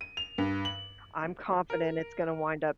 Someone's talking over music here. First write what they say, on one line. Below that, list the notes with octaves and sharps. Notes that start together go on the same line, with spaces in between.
I'm confident it's going to wind up
D#7
F7
G2
F#7
A#4